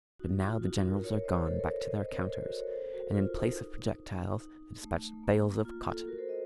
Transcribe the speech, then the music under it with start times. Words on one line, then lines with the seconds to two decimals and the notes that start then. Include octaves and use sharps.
But now the generals are gone back to their counters; and in place of projectiles, they despatch bales of cotton.
0.20 D#4 F#4
0.41 F4
0.62 D#4 F#4
0.82 F#4 A#4
1.03 A#4 C#5
1.24 C5 D#5
1.36 C#5
1.45 A4 C5
1.59 A#4 C#5
1.74 A#4 C#5
1.88 C5 D#5
2.09 A#4 C#5
2.29 A4 C5
2.43 F#4 A#4
2.58 A#4 C#5
2.72 A4 C5
2.93 F#4 A#4
3.14 F4
3.35 D#4
4.40 D#4
4.81 A3
5.02 A3
5.23 A#3
5.65 F4
5.86 F4 A4
6.07 F#4 A#4
6.18 A4 C5
6.28 C5 D#5